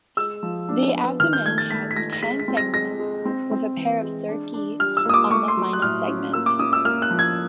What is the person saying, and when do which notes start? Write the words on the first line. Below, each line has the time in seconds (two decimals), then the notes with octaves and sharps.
The abdomen has ten segments, with a pair of cerci on the final segment.
0.17 G#3 E6
0.43 F3
0.69 D4
0.94 B3
1.20 D#3 F6
1.33 G6
1.45 A3 G#6
1.58 A6
1.71 A3 B6
1.91 B6
1.96 A3 A#6
2.13 A#6
2.22 G#3 B6
2.40 B6
2.48 C4
2.57 A#6
2.74 G#3 A#6
2.99 G#3
3.25 C4
3.51 C4
3.77 E3
4.03 G#3
4.29 D4
4.54 D4
4.79 G3 F6
4.97 E6
5.05 A#3 D#6
5.14 D6
5.31 A3 C#6
5.48 C6
5.57 F#3
5.73 F#6
5.82 A2 F6
6.08 C#4
6.33 A#3 E6
6.46 D6
6.59 C#4 D#6
6.73 E6
6.85 A#3 F6
7.02 F#6
7.11 F3
7.19 G#6